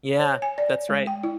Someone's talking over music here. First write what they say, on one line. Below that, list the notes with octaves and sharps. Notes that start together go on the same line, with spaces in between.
Yeah, that's right.
C#5
G#5
D5
G#3
G5
E4